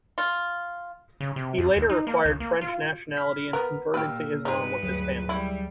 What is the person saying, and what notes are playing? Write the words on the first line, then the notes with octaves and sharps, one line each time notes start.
He later acquired French nationality and converted to Islam with his family.
F4
C#3
C3
F2
D#2
D#4
A#3
C#2
A#3
F4
B5 F6 B6
B3 A#4
A#2 A#3 G4 B4 E6 F6
G2 G#3 D#4 B4
D2 F#3 G#4
G3 E4